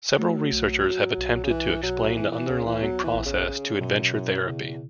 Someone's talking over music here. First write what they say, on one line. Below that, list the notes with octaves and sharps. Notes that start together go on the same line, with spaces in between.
Several researchers have attempted to explain the underlying process to adventure therapy.
F#3 A3
B1
F#4
B1
C#3
E3 B4
B2 F#3
E3 B3
E3
C#2 C#3
E3
F#3 B3
E3
A1
C#3
C#3 C#5
F#2 B2
F#2 E4
E2 C#3